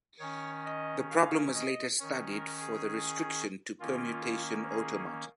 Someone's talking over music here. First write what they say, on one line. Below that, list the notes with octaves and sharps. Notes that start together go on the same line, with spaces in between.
The problem was later studied for the restriction to permutation automata.
D#3 C#4 C#5
D#5
F5
D#5
D#3 C#4 C#5
A#4
G#4
D#3 A#3 C#4 F4
G#4